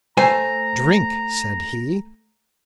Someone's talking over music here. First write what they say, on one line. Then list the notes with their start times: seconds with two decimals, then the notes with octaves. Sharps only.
"Drink!" said he.
0.17 A3 C5 G#5 A#5